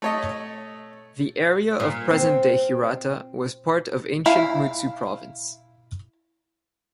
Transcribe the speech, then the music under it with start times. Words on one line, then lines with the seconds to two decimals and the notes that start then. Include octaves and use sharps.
The area of present-day Hirata was part of ancient Mutsu Province.
0.02 A3 C#5 D#5
1.80 A#2
2.11 C4
4.26 E4 F5